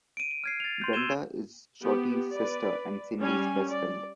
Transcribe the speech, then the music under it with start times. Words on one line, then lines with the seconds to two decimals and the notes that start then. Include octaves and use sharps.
Brenda is Shorty’s sister and Cindy’s best friend.
0.17 D7 D#7
0.44 F6 G#6 C7
0.60 A6 F7
0.82 C6 G6
0.93 E6 G#6 D#7 E7 G7
1.83 B3 G4
2.34 B4 D5
3.19 G3 C#4 G#5
3.69 D5